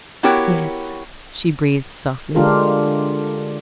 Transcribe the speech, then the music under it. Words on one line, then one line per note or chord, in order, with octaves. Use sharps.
"Yes," she breathed softly.
B3 E4 F#4 G4 A#4 C#5
D3 G#3 D4 F4 G4 A#4